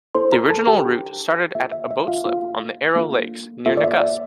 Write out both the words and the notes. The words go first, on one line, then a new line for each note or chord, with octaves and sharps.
The original route started at a boat slip on the Arrow Lakes near Nakusp.
A#3 E4 A4 C5 C6
A#4 A#5
A4 A5
G4 G5
D4 G4
A#3 F4 A4 E5
E5
E5
F4 F5
A#3 F4 A4 F5
A#3 D4 F4 A4
A#3 F4 A4 E5
D5
E5
D5